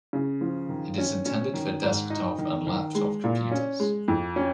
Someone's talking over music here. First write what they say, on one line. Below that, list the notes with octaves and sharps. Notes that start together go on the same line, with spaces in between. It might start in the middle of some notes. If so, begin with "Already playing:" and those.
It is intended for desktop and laptop computers.
C#3
F3
D#3
C#4
C#4
D#3
G#2
D#4
D#3
D#3
G#3
A#2
C#4
G#3
F2
C#4